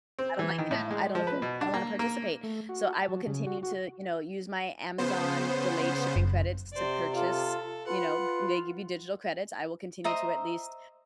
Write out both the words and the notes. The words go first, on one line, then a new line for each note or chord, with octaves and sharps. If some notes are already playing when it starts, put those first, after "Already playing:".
I don't like it, I don't approve, I don't wanna participate. So, I will continue to, you know, use my Amazon delayed shipping credits to purchase, you know, they give you digital credits. I will continue to at least
C4
E3
D#3
A2
G#3
F3
B4
B2
D4
A#3
A#3
A3
F#4
A5
F#3
C#3
F#4
F#4
C#3 B3 C5
F#1
C3 C5 D5
F4 A4
F4 B4 F#5
C5 D#5 E5 A#5